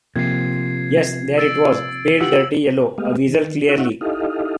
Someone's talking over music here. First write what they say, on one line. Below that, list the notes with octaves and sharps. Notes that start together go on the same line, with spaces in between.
Yes, there it was — pale dirty yellow, a weasel clearly.
C3 F3 A#3 G#6 C7
E6 A6 D7
F4 G4 F#5 E6 F#7
G#3 A3 B3 G4 D#5 F5
D#3
D#4 F#4 C#5 E5 F#5
D#4 E4 G4 A4 D#5 F5